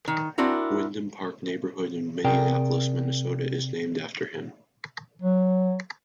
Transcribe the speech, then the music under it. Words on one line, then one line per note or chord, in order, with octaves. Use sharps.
Windom Park Neighborhood in Minneapolis, Minnesota is named after him.
D#3
C4 D4 E4 F#4 A#4
C3 G#4 A#4 D5 G5
F#3